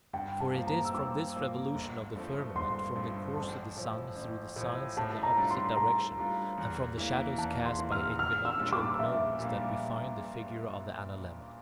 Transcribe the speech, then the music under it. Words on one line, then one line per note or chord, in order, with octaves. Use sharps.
For it is from this revolution of the firmament, from the course of the sun through the signs in the opposite direction, and from the shadows cast by equinoctial gnomons, that we find the figure of the analemma.
G2 G5
A5
F3 A#3
A#5
E6
G2 D6
F3 A#3
G1
G2 F3 A3 C4
G1 C6
G2 F3 A3 C4
A1 A5
A2 F3
A1
A2 F3
A2 A5
A#5
G3 D4 F4
C6
A2 A#5
G3 D4 F4
E2
E3 A#3
E2 A5
C6
E3 A#3
F6
A#1 F6
E6
A#2 G3 A#3 D4
D6
A#1 E5
A#2 G3 A#3